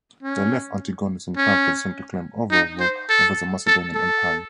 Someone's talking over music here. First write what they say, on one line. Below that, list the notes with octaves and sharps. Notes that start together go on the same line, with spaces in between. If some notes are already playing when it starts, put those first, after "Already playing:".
This left Antigonus in prime position to claim overall rule over the Macedonian empire.
C#4
C#4
D#4
C5
A4
A4
A4